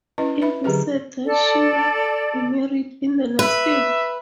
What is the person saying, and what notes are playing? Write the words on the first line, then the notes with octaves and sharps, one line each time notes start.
It is said that she will be married in the next year.
C#4 E4 B4 D#5
B4 E5 B5
D3 F#3 G4 G#4 B4
A4 D5
B4 E5